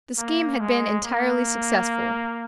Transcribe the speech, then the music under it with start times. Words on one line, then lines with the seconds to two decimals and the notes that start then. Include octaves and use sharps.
The scheme had been entirely successful.
0.18 A#3
0.60 G#3
1.04 A#3